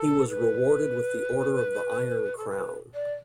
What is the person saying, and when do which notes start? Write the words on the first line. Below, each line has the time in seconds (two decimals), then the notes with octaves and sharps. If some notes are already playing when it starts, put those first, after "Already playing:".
He was rewarded with the Order of the Iron Crown.
Already playing: A4
0.28 B4
2.37 A4
2.50 B4
2.94 D5